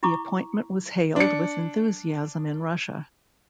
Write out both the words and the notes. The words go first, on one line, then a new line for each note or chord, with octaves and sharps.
The appointment was hailed with enthusiasm in Russia.
E4 A#5 C#6 D6
D4 C#7